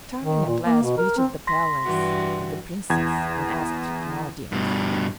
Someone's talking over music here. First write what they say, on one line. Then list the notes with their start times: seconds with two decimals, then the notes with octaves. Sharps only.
Charming at last reached the palace of the Princess, and asked an audience.
0.23 D#3
0.46 A#2
0.64 A#3
0.83 B2
0.98 A#4
1.17 C4
1.47 C6 A#6 B6
1.84 G2 E3 F#4
2.90 E2 G#6
4.52 G2 B2